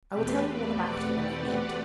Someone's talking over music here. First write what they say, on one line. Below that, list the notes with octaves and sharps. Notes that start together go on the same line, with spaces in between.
I will tell you all about it when we meet.
E2 B2 A3 C4 G4 B4
B4 D5
D5 F#5